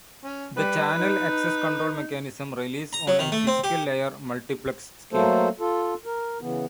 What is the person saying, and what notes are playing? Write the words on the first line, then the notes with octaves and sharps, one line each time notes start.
The channel access control mechanism relies on a physical layer multiplex scheme.
C#4
G3 B4
D#4
A#5
F#3
D#3
A3
C4
G4
F#3 A3 A#3 A4 C5
F4 A4
A#4
C#3 E3 B3